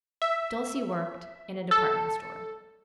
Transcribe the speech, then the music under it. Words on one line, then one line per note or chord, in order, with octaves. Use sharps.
Dulcie worked in a department store.
E5
A4